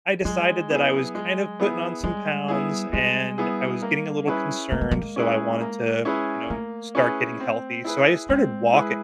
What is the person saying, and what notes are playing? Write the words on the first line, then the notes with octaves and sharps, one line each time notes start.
I decided that I was kind of putting on some pounds and I was getting a little concerned, so I wanted to, you know, start getting healthy. So, I just started walking.
F#3 G#3
B3 E4 G#4
G#3
B3 E4 G#4
G3 G#3
B3 E4 G#4
G3 G#3
B3 E4 G#4
A#3
C#4 E4 G#4 B4
A3 A#3
G#3
G3
G#3
C#4 E4 G#4 B4
A#3
C#4 E4 G#4 B4
A3 A#3
C#4 E4 G#4 B4
C4
E4 G#4 B4
G#3 C4
E4 G#4 B4